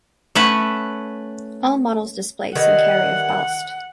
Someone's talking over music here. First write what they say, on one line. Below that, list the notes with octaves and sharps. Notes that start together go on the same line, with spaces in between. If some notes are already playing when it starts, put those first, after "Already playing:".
All models displace and carry of ballast.
A3 C#4 B4 F#5
D#3 E3 G3 F#5